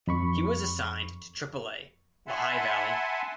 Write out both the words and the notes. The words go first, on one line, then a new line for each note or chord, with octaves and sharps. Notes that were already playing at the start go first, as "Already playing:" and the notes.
He was assigned to Triple-A Lehigh Valley.
F2 B5 C#6
E5 F#5 G#5 A5 B5 C6